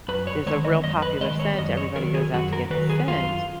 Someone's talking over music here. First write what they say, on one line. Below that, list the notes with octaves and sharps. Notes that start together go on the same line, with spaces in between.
there's a real popular scent, everybody goes out to get the scent,
F#2 B4
C#5
D#3 G#3 B3 C#5
D#5
F#2 D#5
B4
D#3 G#3 B3 D#5
C#5
F#2 D#5
C#5
D#3 F#3 A#4
G#4
F#2 F#4
A#4
D#3 F#3 B4
G#4
F#2 F4